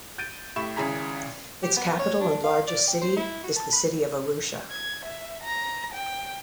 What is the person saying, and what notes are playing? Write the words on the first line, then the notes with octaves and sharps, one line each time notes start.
Its capital and largest city is the city of Arusha.
G6 A6 D7 D#7
A2 G4 E5 B5 C#6 E7
G#1 C#3 E4 G#4 A#5 B6
G4
B3
C#5
D4
F5
D5
G5
C5
E4
F#4
A5
B5
G#6
E5
A#5
G5